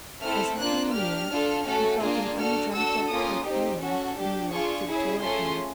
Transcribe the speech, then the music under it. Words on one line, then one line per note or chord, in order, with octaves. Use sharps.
As he came near he felt an undreamt-of perfume being wafted toward him.
A3 C4 E4 A4 F6
A#3 D4 F4 F#6
D4 G4 F6
D4 F4 A4
A3 C#4 F#4 A4
A#3 D4 F4 G#4
D4 F#4 A4 F6
D4 F#4 A4 E6
A#3 C#4 F4 D#6
C4 D#4 G4
C#4 F#4 A4
D4 G4
D4 F4 G#4 C#6
C#4 E4 G#4
A3 C#4 F4 G#4 C6